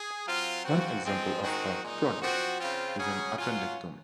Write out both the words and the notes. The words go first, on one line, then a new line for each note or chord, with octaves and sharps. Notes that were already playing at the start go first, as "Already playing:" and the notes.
One example of a "product" is an appendectomy.
Already playing: G#4
F#3 C4 F4
G#2 F3 C4 F#4
F3 G#3 C4
D#3 G#3 C4 D#4 F#4
A#2 G#3 D#4
F3 C4 F#4
C#3 F3 C4 F4
C#3 F#3 C#4 G#4
F#3 C#4 F4